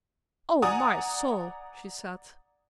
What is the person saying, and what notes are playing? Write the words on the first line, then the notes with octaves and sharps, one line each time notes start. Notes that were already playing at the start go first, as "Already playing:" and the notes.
"O! my soul!" she said.
D5 F#5 G#5 A#5 D#6